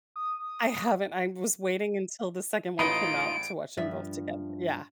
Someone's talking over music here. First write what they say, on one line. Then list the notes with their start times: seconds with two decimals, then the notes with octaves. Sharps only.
I haven't. I was waiting until the second one came out to watch 'em both together Yeah.
0.16 D#6
2.79 A1 D#4 F4 B4 D#5 B5 D7
3.77 G2 F3 E5